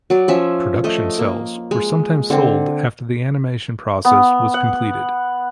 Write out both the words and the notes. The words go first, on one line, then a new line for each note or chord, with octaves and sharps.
Production cels were sometimes sold after the animation process was completed.
F#3 D5
F3 C#4 E5
A3 D#5
A#3
G#3
D3 C4
B3
F#5